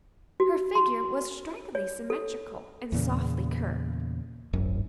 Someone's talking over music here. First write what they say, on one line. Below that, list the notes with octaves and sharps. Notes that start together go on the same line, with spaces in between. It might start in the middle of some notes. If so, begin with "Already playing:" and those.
Her figure was strikingly symmetrical and softly curved.
F#4
C6
C#5
A4
E2 A#2 C#3
D1 G#1 F#2